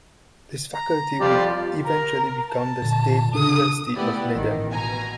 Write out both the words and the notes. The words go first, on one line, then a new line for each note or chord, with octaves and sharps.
This faculty would eventually become the State University of Medan.
A#5
F2 G3 F4 G4 D5
A#4
A5
A#2 D3
C#3 D4 A4 D#6
A3 B3 E4 G4 D5
A1 D#3
B2 G#5 A#5